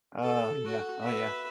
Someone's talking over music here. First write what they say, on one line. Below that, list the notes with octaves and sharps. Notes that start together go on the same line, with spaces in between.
Oh, yeah, oh, yeah.
A4
F#4
B4 E5